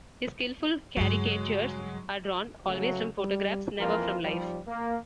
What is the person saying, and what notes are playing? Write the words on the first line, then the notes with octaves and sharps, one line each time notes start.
His skilful caricatures are drawn always from photographs, never from life.
G2 C#3 F#3 G#3
C#3 F#3 A3
G3
F2 E3 F3 A#3 F4 A#4
D#2 F3 G3
A#3